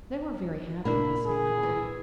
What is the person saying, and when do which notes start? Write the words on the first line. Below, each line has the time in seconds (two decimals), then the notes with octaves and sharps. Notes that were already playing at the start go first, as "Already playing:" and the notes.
They were very happy in this new home.
0.85 A#2 A#3 D4 E4 B5
1.26 G#4
1.63 E3